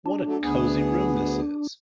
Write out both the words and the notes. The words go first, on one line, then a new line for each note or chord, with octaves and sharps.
What a cosy room this is!
D4
F#3 A3
D2 B3 G#4